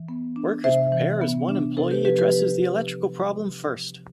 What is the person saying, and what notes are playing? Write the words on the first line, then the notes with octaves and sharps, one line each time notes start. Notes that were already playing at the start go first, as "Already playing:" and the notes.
Workers prepare as one employee addresses the electrical problem first.
Already playing: E3
B3
D4
C3 C5 E5
E3
B3
D4
C3 A4 C5
G4 B4
F3 G4 B4
G4 B4